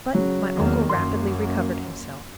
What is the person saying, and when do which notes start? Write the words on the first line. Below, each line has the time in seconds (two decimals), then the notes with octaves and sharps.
But my uncle rapidly recovered himself.
0.15 C#3 F#3
0.55 E2 D#3 A#3
0.90 F#2 A#3 C6